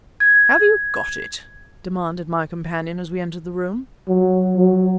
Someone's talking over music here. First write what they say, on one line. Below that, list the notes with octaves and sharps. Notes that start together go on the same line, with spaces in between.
"Have you got it?" demanded my companion as we entered the room.
G#6
F#3
F#3